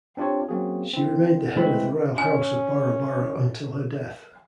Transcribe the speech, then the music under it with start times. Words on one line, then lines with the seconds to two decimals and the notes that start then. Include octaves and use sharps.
She remained the head of the royal house of Bora Bora until her death.
0.17 C4 D4 F4 G4 C#5
0.49 F#3 A#3 C4 C#4 F#4 G#4
0.93 C4 E4
1.57 G#3 A3 C4 E4 B4 B5
2.18 C#4 G#5